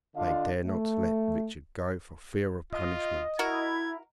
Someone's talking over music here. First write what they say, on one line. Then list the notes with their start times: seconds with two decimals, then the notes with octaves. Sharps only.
And they dare not let Richard go for fear of punishment.
0.15 D3 D4 F4 D#5 F5
0.66 A3
2.73 F4 D#5
3.39 E4 F#4 A#4 G#6